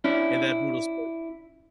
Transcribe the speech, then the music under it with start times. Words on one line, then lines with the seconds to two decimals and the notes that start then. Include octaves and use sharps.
in that brutal sport
0.04 C#4 D4 E4